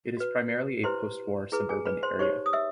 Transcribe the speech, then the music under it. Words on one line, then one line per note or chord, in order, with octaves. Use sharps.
It is primarily a post-war suburban area.
F#4 B4
E4 G4 B4 C5 C6
E4 G#4 B4
G#4 G#5
B4 B5
C5 C6
D#4 G4 C5 C#5 C#6
D#6
E5 E6